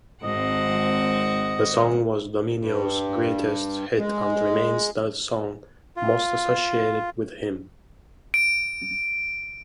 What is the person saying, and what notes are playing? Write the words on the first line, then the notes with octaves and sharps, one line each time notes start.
The song was Domino's greatest hit and remains the song most associated with him.
G#1 C4 D#5 F#5
G2
G#3
F4
D7